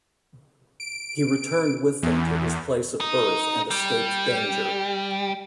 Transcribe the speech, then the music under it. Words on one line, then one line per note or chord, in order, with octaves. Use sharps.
He returned with them to his place of birth and escaped danger.
D7
E2
D#4
G3